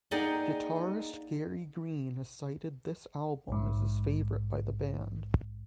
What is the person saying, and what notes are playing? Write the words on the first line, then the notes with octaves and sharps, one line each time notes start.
Guitarist Gary Green has cited this album as his favourite by the band.
A#3 D#4 G#4 D5 F#5 G5
A#1 G#2